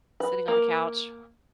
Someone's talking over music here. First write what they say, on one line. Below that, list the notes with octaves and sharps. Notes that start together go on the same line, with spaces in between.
sitting on the couch,
B4
A#3